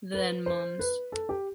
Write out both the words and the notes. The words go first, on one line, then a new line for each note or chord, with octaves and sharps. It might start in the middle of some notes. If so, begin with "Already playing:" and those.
Then mons.
B4
C5
B4
A4
G4